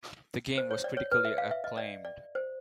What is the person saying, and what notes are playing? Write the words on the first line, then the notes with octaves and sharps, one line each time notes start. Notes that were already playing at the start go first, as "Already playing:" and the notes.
The game was critically acclaimed.
C5
C#5
D5
C#5
B4
E5
F5
E5
D#5
D5
D5
C5